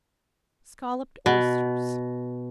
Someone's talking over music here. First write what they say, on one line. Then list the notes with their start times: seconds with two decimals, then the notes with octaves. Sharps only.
Scolloped Oysters.
1.26 B2